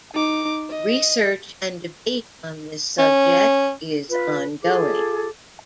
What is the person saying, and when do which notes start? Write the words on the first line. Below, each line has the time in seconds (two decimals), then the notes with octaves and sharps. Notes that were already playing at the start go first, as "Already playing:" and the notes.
Research and debate on this subject is ongoing.
0.14 D#4 D6
0.70 D#5
2.98 C#4
4.09 F4 B4
4.63 F4 G#4 A4 D6